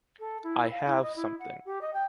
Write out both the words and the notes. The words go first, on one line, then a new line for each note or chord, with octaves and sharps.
I have something.
A4
E4
F5
E4
D#5
E4
F#5
G4
D#5
G5